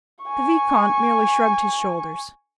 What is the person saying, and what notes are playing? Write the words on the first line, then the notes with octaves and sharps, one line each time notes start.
The vicomte merely shrugged his shoulders.
G#5 C#6